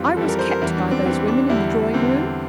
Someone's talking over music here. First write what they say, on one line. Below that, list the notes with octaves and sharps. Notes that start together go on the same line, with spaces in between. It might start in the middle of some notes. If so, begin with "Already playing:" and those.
'I was kept by those women in the drawing-room.
Already playing: F2 E3 G3 F4
F2 E3 G3 A4
A#4
C5
A#4
E2 E3 G3 E4
D4
C4
E2 E3 G3 C4
D4
E2 D3 G3 E4
E2 D3 G3 C4